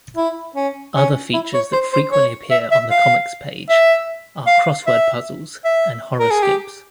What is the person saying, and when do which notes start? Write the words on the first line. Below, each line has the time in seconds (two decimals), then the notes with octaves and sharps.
Other features that frequently appear on the comics page are crossword puzzles and horoscopes.
0.17 E4
0.56 C#4
0.96 C#4
1.34 E4
1.54 C#5
1.73 C5
1.93 C5
2.12 C#5
2.51 E5
2.71 E5
2.91 F5
3.70 E5
4.47 F5
4.87 E5
5.65 E5
6.20 A#4
6.31 G#4
6.43 G4